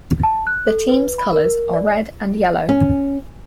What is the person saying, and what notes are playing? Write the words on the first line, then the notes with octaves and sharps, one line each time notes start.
The team's colors are red and yellow.
A5
F#6
A4
B4
B5
A#4
D5
C#4